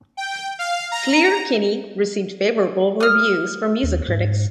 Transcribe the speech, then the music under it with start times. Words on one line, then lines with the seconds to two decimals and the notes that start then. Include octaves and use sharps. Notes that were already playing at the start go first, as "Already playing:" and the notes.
"Sleater-Kinney" received favorable reviews from music critics.
0.17 G5
0.59 F5
0.92 A#5
3.00 D#6 F6
3.83 D#2
4.08 G#2